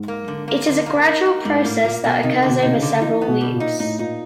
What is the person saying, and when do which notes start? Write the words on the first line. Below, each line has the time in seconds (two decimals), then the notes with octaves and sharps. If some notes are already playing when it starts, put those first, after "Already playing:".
It is a gradual process that occurs over several weeks.
Already playing: G#2
0.08 A#3
0.28 D3
0.48 A#3
0.66 D3
0.86 A#3
1.06 D#4
1.26 A#3
1.45 G#2 G3
1.65 A2 A#3
1.84 A#2 A#3
2.04 B2 A#3
2.23 C3 D#4
2.43 D3
2.49 B2
2.62 C3 D#4
2.76 C#3
2.82 D3
3.01 E3 D#4
3.21 B3
3.28 B2
3.41 G3
3.54 A#2
3.60 D#4
3.80 A2 D#4
3.99 A#2 D#4